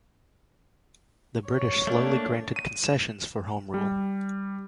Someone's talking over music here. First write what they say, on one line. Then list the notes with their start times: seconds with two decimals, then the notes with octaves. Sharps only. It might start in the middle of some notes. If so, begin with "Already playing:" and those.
The British slowly granted concessions for home rule.
1.48 C#5
1.87 A3 A#3 D4
2.56 D#7
2.84 E7
3.74 G3